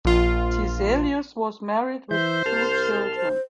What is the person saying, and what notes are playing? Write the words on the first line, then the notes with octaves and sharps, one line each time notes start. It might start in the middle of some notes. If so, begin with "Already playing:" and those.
Tiselius was married, with two children.
A#1 F4
E3 C5 E5 G6
C2 A5 C6 F6
C5